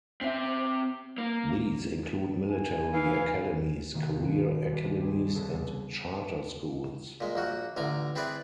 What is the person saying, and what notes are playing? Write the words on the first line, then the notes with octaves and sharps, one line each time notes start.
These include military academies, career academies, and charter schools.
C4 E5
A#3
G#5
E3 F5
C3 D#3 A#3 B3 F#4
D#2 B2
C2
G3 C4 D#4 G#4
C2 C#3 B3 G#4 A4
A#2 G#3
A#1 A#3 F#4
A1 D3 G#5 A#5
C4 E4 G#4 B4 D5